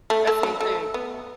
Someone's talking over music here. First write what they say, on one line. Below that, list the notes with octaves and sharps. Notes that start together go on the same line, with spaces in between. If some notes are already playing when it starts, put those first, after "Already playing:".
That's me too.
A3
A3
F#3
A3
B3